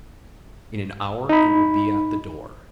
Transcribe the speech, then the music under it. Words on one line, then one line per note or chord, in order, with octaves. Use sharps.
"In an hour it will be at the door."
D#4 B5